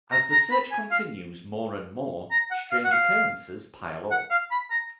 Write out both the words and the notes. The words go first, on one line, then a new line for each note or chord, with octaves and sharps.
As the search continues more and more strange occurrences pile up.
A#5
A#5
B5
G#5
F5
A#5
F#5
F5
F#5
F5
F#5
F5
B5
A#5